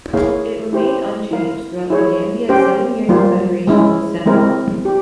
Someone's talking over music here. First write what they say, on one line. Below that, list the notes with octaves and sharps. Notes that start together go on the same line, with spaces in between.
It remained unchanged throughout the Gambia's seven-year confederation with Senegal.
A#3 E4 G#4 C#5 F5
E4 G4 C5
E4 A#4 F5
E4 G#4 C#5
C#4 G4 C5 G5
G3 A#3 F4
G#3 C#4 E4
G#3 C4 E4 A#4
G4